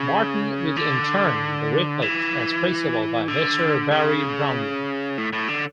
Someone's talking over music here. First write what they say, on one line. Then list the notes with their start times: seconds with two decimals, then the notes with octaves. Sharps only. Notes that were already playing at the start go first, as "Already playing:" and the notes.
Martin would in turn be replaced as principal by Mr. Barry Brownlee.
Already playing: C#3
0.77 D3
2.02 E3
3.28 D3
3.91 C#3
5.18 A2
5.33 A2
5.48 D3